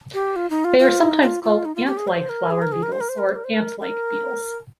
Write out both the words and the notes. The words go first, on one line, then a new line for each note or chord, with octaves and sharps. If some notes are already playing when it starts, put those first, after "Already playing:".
They are sometimes called ant-like flower beetles or ant-like beetles.
G4
F4
D#4
F4
F4
D#4
F4
F4
D#4
F4
G4
G#4
C5
A#4
G#4
A#4
G#4
A#4
C5
A#4
C5
A#4
C5
A#4
C5
A#4
A#4